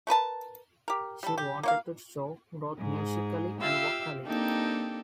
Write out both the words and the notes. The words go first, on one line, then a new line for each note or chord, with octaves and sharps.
She wanted to show growth musically and vocally.
A3 A#4 B4 A5
G4 A#4
G3 A4
G4
A#3 C#5 F5
G#2 G#4
F4 G4 E5 F5 C6 E6
A#3 C4 D4 D#4 G4 A4